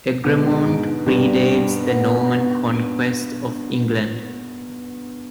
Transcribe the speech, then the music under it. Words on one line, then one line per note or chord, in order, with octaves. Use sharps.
Egremont pre-dates the Norman conquest of England.
B2 D3 G#3
G#2
G2 B2 G3
B3